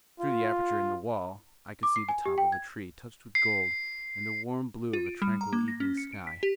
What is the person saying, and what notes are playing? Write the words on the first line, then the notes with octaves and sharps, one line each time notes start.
Through the aperture in the wall I could see the top of a tree touched with gold and the warm blue of a tranquil evening sky.
F4
D6
C7
G#5
G4
G5
G#6
C7
F4
D7
G3
A#5
A#3
A#6
C#4
C#7
D7
B6
G4